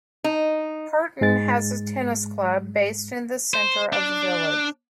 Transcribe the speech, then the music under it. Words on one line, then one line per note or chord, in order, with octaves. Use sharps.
Purton has a tennis club, based in the centre of the village.
D#4
G#2 G#3 A6
C5
D4